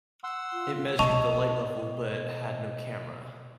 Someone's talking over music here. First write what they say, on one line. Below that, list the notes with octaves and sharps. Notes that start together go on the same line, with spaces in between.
It measured the light level but had no camera.
F#5 C6 E6
F4
B2 D#5 A5 C#6 F7